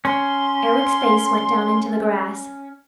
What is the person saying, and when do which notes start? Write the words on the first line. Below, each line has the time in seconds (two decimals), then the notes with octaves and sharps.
Eric's face went down into the grass.
0.05 C#4 C6